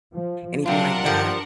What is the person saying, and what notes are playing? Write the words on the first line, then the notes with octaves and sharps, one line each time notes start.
anything like that?
F3
C3 F#3 D4 F4 A#4 F#5
G2 F3 G3